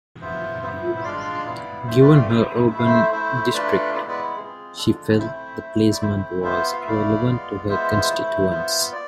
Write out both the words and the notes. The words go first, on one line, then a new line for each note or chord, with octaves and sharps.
Given her urban district, she felt the placement was irrelevant to her constituents.
B3 F4 C5 E5
B3 E4 C5 E5
E5
G#3 D4 F4 D5 F5
B3 E4
A3 C4 F4 C5 E5
B4 D5
D5 F5
G#3 B3 E4 C5 E5
A3 E4 E5
F5
C5 E5
A3 E4 C5 E5
E5
A3 D4 F4 B4 D5
G#3 B3 E4 B4 D5
B4 D5
G#3 C4 F4 G#4
G#3 D4 F4 A4
A3 C4 E4 C5 E5
A3 E4
D5
A3 C4 E4 C5 E5
B3 F4 C5 E5
F5
E5
A3 E4 D5 F5
G#3 B3 F4
G#3 B3 F4 C5 E5
A3 E4
B3 F4
D5